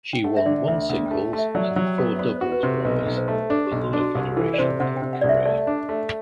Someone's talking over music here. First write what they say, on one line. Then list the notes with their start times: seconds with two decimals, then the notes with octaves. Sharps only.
She won one singles and four doubles rubbers in her Federation Cup career.
0.13 G5
0.24 A3 F#5
0.37 E5
0.46 D3 D5
0.68 D2 E5
0.82 E5
0.89 D2 F#5
1.06 G5
1.11 A3
1.33 A3
1.38 E5
1.55 F#3 D5
1.63 E5
1.71 F#5
1.76 F#3
1.87 G5
1.98 B3
2.16 E5
2.19 B3 D5
2.36 C5
2.41 F#4
2.52 B4
2.60 G4
2.63 C3
2.69 A4
2.85 B1 B4
3.07 B1
3.17 C5
3.28 A3
3.50 D4 A4
3.67 B1 G4
3.83 F#4
3.93 D4
3.99 F#4
4.15 C2 G4
4.37 E3 A4
4.54 D5
4.58 C3 C5
4.80 C3 F#5
4.97 G5
5.02 C3
5.13 F#5
5.21 C2 D5
5.29 E5
5.45 A3 D5
5.67 D4
5.89 A3